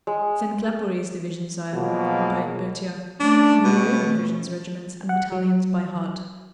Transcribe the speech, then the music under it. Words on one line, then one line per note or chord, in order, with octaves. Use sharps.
"Send Claparede's division, sire," replied Berthier, who knew all the division's regiments, and battalions by heart.
G#3
B2 F3 F#3 G#3 A#3
A3 C#4 D4
B2
F#5
F#3